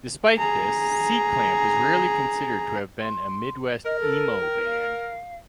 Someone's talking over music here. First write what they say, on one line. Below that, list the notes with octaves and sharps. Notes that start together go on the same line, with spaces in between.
Despite this, C-Clamp is rarely considered to have been a midwest emo band.
G#4 A#5
C6
A#4 D#5
A4
G5
F5